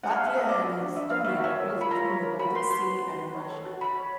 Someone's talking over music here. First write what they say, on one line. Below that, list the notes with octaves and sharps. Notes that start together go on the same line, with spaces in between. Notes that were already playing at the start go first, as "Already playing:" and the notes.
Latvia and Estonia are both between the Baltic Sea and Russia.
F#5
F5
E5
D#5
B4 D5
F#4
D4
D4 E5
B4 F5
E5
F#4
C#5 E5
A#4
F4
B5
F4 A#5
C#5
A#4
F#4 B5
B4 C6
F#4 C6
B4
F#4
B4
C#5
A4
F#4
F#4 B5
C#5